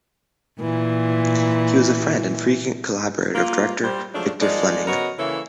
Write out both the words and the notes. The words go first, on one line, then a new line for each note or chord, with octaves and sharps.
He was a friend and frequent collaborator of director Victor Fleming.
A#2 E3
A#3 F4
G3 C5
F3 F#3 G#3 A3 D4
F3 G#3 A#3 D#4 D5
C#3 B3 F#4 A#4 C#5 D#5
C#3 E3 A#3 A4 C#5 E5